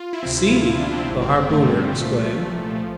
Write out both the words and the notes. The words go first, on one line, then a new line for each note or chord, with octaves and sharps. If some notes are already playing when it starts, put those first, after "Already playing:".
"See!" the harpooner exclaimed.
Already playing: F4
E4
D2 C3 F3 C4
E4
F4
D4
C4
A1 G2 D3
C4
C4
A3
G3
C2 A#2 F3 A3
F3